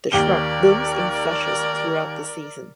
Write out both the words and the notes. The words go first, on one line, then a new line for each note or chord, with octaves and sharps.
The shrub blooms in flushes throughout the season.
D#2 G4 A#4 D5 G7